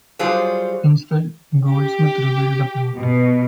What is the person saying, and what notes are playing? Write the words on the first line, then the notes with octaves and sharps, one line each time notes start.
Instead, Goldsmith revealed the plot.
F#3 G3 F4 G#4 C5
G4
B2